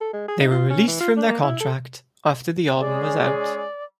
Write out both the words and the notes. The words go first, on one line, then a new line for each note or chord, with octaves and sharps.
They were released from their contract after the album was out.
A4
G#3
G#4
D#4
F4
C#4
E3
F4
D4
A#3
E4
A4
G#3 C#4 G#4 D5